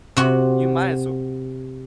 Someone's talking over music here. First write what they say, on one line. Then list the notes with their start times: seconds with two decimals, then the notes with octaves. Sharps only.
you might as well
0.17 C3 F#4